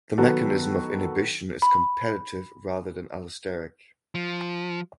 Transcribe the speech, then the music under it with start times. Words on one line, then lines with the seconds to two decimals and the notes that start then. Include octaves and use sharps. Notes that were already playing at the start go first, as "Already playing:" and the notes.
The mechanism of inhibition is competitive rather than allosteric.
0.18 D#3 F#3 B3 F#4 A4
1.62 B5
4.15 F3